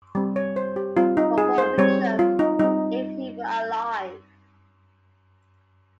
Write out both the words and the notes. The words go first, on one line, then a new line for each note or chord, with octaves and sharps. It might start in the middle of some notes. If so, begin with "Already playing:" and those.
Robert Mitchum, if he were alive.
G3 C4
C#5
C5
G4
G3 C4 F4
D#4
G#4
C5
G3 C4 C#5
F4
D#4
G3 C4 D#4